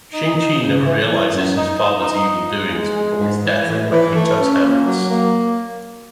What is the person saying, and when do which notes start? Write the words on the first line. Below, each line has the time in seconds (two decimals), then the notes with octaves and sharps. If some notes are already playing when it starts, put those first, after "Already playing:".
Shang-Chi never realizes his father's evil doings before his death at Magneto's hands.
0.13 D#4
0.37 D#4
0.60 C#3
0.83 E3
1.08 E3
1.31 F#2
1.55 D#4
1.78 D#4
2.02 D#4
2.26 F3
2.49 G#3
2.73 G#3
2.97 G#3
3.20 G#2
3.44 E3
3.68 A2
3.91 E3
4.15 A3
4.38 C#4
4.61 A#3
4.85 F#3
5.08 A#3